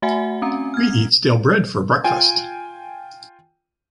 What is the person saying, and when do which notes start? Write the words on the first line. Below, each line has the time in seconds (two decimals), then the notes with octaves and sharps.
We eat stale bread for breakfast.
0.02 A3 F#4 E5 F#5 G#5
0.42 C4 C#4 A#5
0.74 F6 G#6
2.04 F4 G5 G#5